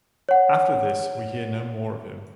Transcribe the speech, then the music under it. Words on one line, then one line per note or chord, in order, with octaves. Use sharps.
After this we hear no more of him.
C#5 F#5